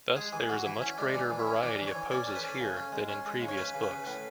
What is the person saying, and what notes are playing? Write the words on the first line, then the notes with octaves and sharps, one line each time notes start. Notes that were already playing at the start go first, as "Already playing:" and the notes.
Thus there is a much greater variety of poses here than in previous books.
G#3 G#4
E3 G#4
E3 F#4
E3 E4
C#4 E4
G#3 D4
E3 D4
E3
E4
C#4
E3 D4
E3
C#5
E3
C#4 D5
C#4 A4
B4
C#4 A4
C#3
C#4
G#3
C#4
G#3
C#3
C#5
C#4 B4
C#3
B4
C#3
A2 B4